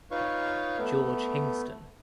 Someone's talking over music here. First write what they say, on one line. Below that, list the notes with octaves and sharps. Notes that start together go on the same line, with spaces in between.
George Hingston.
D#4 F4 B4 C#5 F5 C#6
A3 B3